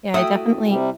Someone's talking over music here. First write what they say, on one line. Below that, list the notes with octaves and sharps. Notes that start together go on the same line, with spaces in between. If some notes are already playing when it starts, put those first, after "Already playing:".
Yeah, I definitely
A3 E4 F#4 G5 D#6
C3 G3